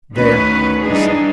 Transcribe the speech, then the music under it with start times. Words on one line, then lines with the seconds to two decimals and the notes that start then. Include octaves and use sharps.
"There!" he said.
0.15 D2 D#3 C#4 B4
0.84 E3 G3 D4 D#4 G#4